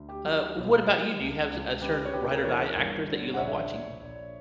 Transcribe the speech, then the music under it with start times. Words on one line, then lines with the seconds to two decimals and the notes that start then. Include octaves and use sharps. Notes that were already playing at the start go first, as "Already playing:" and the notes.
uh, what about you? Do you have a certain ride or die actors that you love watching?
Already playing: D2
0.09 G4
0.24 F#3
0.56 B1
0.87 G3
1.19 C#2
1.50 C#2
1.81 C#3 G4 B4
2.05 C#5
2.12 D2 G4 B4
2.23 G4
2.30 A#4
2.38 B4
2.44 E3 A#4 C#5
2.76 G1
3.07 D3
3.34 F#5
3.38 A#1 C#5 E5
3.70 A#1
4.01 A#1